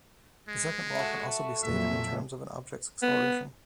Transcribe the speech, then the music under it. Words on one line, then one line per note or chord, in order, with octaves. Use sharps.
The second law can also be stated in terms of an object's acceleration.
G#3
A3 F#4
F2 A#2 F#3 E5
B3